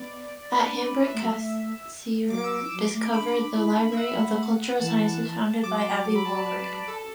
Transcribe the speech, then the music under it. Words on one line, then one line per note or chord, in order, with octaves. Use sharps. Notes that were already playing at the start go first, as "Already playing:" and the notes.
At Hamburg Cassirer discovered the Library of the Cultural Sciences founded by Aby Warburg.
Already playing: B3 D5
D4 B4
B4
B4
B3 E5
A3
F#3
A3
A3
F#3 D6
E6
D6
F#3
A3
D4 B5
E4
E4
D4
E5
F#5
F#3
A3
F#5
E3 A5
F#3 D6
D6
D6
B5
A5
D5
B4
D5
A4